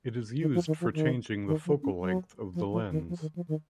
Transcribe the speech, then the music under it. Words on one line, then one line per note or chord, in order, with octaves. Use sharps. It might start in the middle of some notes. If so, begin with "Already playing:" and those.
It is used for changing the focal length of the lens.
D#3
F3
D#3
F3
D#3
D#3
F3
C#4
F#3
F3
F3
D#3
F3
D#3
F3
D#3